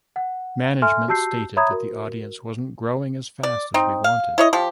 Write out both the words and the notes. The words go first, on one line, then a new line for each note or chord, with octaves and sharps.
Management stated the audience wasn't growing as fast as we wanted.
F#5
A4 E5 G#5 C6 F6
F#4 G4 A5 E6 G6 C7
C#5 E5 A#5 B5 D#6 G#6
F#4 A#4
D5
C4 D#4
F5
E4 C#5 D#5
F3 G4